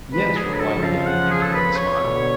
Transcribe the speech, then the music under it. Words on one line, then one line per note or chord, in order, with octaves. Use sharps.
"Yes," replied the young inventor, with a smile.
F3 G#3 B4
G#4
D3 F#3
B4
A4
C#3 F3
F5
F#5
G#4
A4
B4
C#5
B2 D3